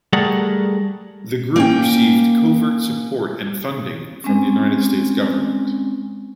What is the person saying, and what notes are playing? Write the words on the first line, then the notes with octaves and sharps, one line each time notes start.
The group received covert support and funding from the United States government.
G3 A3 G#4 A#4 D5 F#5
A#3 C#4 G5
G#3 C4 C#4